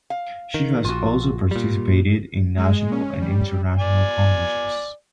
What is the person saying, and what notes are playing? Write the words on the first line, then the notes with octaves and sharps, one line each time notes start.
She has also participated in national and international congresses.
F5
D#3
A#1 F4 F#4
A#2 G3
G#3
C#4
G3
D5 G#5